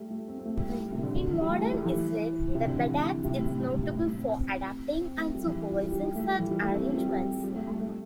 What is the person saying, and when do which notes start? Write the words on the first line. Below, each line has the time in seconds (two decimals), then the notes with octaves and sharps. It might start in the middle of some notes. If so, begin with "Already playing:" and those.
In modern Israel, the "badatz" is notable for adapting and supervising such arrangements.
Already playing: G3 A3
0.10 A3
0.28 C4
0.39 C4
0.45 A3
0.57 G3
0.69 A2
0.80 A2
0.92 C3
1.03 D3
1.15 D3
1.33 E3
1.41 G3
1.50 A3
1.62 A3
1.74 G3
1.85 E3
2.55 C3
2.66 D3
2.78 E3
3.24 C3
3.37 A2
3.48 A2
3.60 G2
3.71 A2
3.83 C3
3.95 A2
4.06 A2
4.18 C4
4.99 C4
5.17 A3
5.34 G3
5.46 E3
5.69 G3
5.80 G3
5.92 G3
6.04 G3
6.15 A3
6.28 G3
6.39 E3
6.51 G3
6.62 A3
6.74 C4
6.86 A3
6.97 G3
7.08 G3
7.44 G3
7.55 A3
7.67 A3
7.79 A3